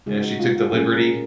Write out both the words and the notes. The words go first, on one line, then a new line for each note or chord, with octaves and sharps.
Yeah, she took the liberty.
C#3 G#3 D#4 F#4
F#4
F4
F#4
A#2 F#3 C#4 G#4
A#4